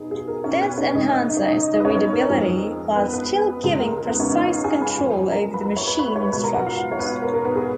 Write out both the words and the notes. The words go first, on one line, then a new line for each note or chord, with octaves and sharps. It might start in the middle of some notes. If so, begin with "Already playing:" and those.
This enhances the readability while still giving precise control over the machine instructions.
Already playing: B2 F#3 B3 D#4 G#4
G#4
A#4
C#4 C#5
B3 B4
C#4 C#5
C#3 G#3 B3 D#4 D#5
D#4 D#5
C#5
D#4 D#5
D#4 D#5
B4
C#4 C#5
B3 B4
A#4
F2 F3 G#3 D#4
B3 B4
B3 B4
C#2 C#3 G#3 G#4
A#4
A#4
B3 B4
C#4 C#5
D#4 D#5
F4 F5
G#4 G#5
B4 B5
F2 F3 A#3
A#4 A#5
B4 B5
B4 B5
C#5 C#6
B4 B5
B4 B5
C#5 C#6
C#2 B2 G#3 B4 B5
A#4 A#5
F#4 F#5
F4 F5
C#5
B3 B4
A#4
A#4
B3 B4
G#4